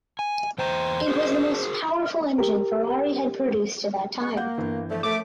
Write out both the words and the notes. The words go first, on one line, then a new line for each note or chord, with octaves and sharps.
It was the most powerful engine Ferrari had produced to that time.
G#5
E2 C5 G5 A#5
F#4 G#4 A#4
G4 A#4
B2 G#4 C#6
A#3 F#5 G6
G1 E3
D3 F3 A3
F#2 F3 A3 D6